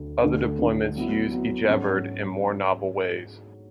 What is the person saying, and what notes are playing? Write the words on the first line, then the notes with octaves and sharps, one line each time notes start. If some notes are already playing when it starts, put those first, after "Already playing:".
Other deployments use ejabberd in more novel ways.
Already playing: D2
D2 D3 A3
D2 D3 A3
F#3 B3 E4
F#3 B3 E4
G#2 F#3 C#4 F#4 A4